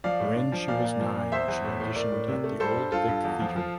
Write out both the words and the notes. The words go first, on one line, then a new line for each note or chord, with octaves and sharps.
When she was nine, she auditioned at the Old Vic Theatre.
F3 D5 F5
A2
D4
F3
A#2 D5 F5
A#2
F3
A#2
E2 C5 E5
E2
A2
A2
A2 A#4 D5
A2
C3
A3
G3 A4 C5
G2
G2 F4 A4
G2
E2
F3
F3